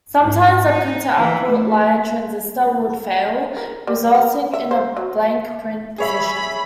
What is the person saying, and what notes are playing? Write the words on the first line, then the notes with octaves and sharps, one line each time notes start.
Sometimes a printer output line transistor would fail, resulting in a blank print position.
G#2
D#4
E3
A3
A#4
G3
A#4
E5
C5
F#3
G#4 C#5 E5 B5